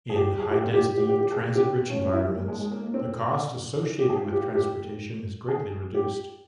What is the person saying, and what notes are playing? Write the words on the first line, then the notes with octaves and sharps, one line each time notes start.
In high density, transit-rich environments, the cost associated with transportation is greatly reduced.
G#4
G4
G#4
G4
F4
G4
G4
G4
G4
G#4
G4
F4
C#4
C#4
E4
G3
A#3
G#3
G#3
A#3
A#3
C4
G4
G#4
F4
G4
G4
G#4
G4